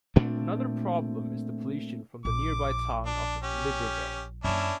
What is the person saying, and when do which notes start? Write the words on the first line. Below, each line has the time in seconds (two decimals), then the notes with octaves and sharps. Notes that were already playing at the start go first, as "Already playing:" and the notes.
Another problem is the pollution from the nearby town of Libreville.
0.16 A#2 A3 C4 D4
2.25 A#1 D6
3.06 D4
3.43 C#4 G4
4.44 F#2 A#3 C#4 D4 E4